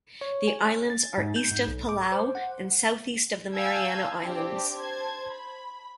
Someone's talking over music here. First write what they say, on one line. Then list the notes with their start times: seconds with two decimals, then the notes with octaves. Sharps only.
The islands are east of Palau and southeast of the Mariana Islands.
0.21 C#5
0.47 G#5
0.90 A6
1.18 G#2
1.36 G6
1.52 G#2
1.67 B1
1.89 D6
2.12 C5
2.35 F#5
3.54 F5 G#5 A5 E6 G6 G#6
4.22 C4 D4 G4
4.77 C5 A5 G#6
5.29 B5